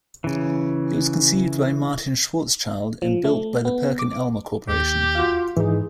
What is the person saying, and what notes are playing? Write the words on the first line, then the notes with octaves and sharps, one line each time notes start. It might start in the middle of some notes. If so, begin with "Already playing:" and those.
It was conceived by Martin Schwarzschild and built by the Perkin Elmer Corporation.
C#3 E3
F3
A3
B3
D6
D#2 G4
F4 F#4 F5
G#2 E3 D#4 G#4